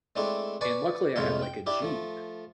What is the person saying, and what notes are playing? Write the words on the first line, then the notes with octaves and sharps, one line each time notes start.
and luckily I had, like, a Jeep
G#3 A3 C4 D4 E4
B4 D5 G#5 C#6
C2 F2 A2 G#3 F4 E5
G5
D4 E4 G4
F3 A3